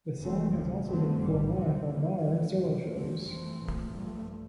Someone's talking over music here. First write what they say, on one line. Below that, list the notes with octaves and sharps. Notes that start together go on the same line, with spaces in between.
The song has also been performed live by Barre in solo shows.
F1 F2 E3 A3 C4
D2 C3 F3
G1 G2 D3 A3 C4
A#1 A2 G3
D2 C3 G3 C4
E2 D3 F3 A#3
G2 D3 A3
E2 C3 E3
E2 D3 A3 C4
G1 F2 E3 A3 C4
A#1 A#2 A3
G2 F3 A3